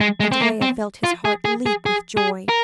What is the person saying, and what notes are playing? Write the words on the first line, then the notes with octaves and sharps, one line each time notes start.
Andrea felt his heart leap with joy.
G#3
G#3
C4
A#3
C4
F4
G#4
G#4
G#4
G#4
G#4
A#4